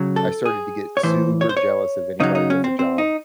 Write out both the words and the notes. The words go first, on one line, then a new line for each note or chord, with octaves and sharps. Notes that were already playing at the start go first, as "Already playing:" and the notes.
I started to get super jealous of anybody with a job,
Already playing: C#3 F#3
A4
G#4
C#5
A2 E3 C5
C#5
C5
C#5
C#3 F#3 D#4
D#4
C#4
C4
C4
D#4